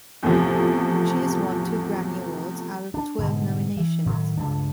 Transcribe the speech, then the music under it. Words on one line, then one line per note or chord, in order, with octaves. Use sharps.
She has won two Grammy Awards out of twelve nominations.
E2 A2 C3 F3
D4
G#2 B2 D3 G#3
E3
A2 D#3 F#3
C#2 G2 D4